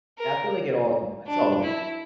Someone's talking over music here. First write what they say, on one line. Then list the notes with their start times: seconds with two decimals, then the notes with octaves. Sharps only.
I feel like it all it's all the same,
0.19 A#4
1.27 D4
1.63 E4